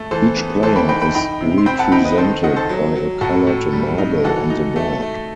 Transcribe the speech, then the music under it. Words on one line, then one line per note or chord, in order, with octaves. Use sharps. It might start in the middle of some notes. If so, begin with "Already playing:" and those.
Each player is represented by a coloured marble on the board.
Already playing: A3
E3 A4 C5
B3
E3 A4 C5
G5 B5
D#4 G5 B5
G5 B5
D#4 G5 B5
C3
C6
C4 G5 B5
F#5 A5
D#4 G5 B5
B4 D#5
D#3 A4 C5
D#3 D#5 F#5
A4 C5
F#3
F#3
A2 F#4 A4
A2
G3
D#4
E3 F#4 A4
D#4
A3
A3